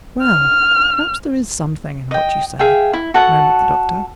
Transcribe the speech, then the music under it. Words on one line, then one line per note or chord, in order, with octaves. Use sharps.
"Well, perhaps there is something in what you say," murmured the Doctor.
F6
D#5 G5
G#4 E5 F5 G5
E4
F#4 A4 F#5 A5